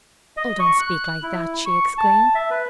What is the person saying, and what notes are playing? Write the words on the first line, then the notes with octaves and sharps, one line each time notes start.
"Oh, don't speak like that," she exclaimed.
D#5
C#6
F#6
E4
C#6
A5
E5
B4